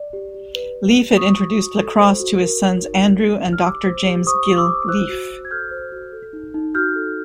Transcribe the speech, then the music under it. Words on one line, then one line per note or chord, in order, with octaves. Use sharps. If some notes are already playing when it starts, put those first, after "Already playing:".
Leaf had introduced lacrosse to his sons Andrew and Doctor James 'Gil' Leaf.
Already playing: D5
G4
G4
B4
D5
G4
C5 C#6 D#6
F#4
F#4
A4
C5
F#4
A#4
C#5
D#4
F#4
A#4
C#5
F6
G4 D6 E6
C5
G4
C5 C#6 D#6
G4
D6 E6
C5
C5 E6 F#6
F#4
F#4
G#6
A4 F6 G6
C5
F#4
A4
D#4
D#4
F#4 F6 G6
A4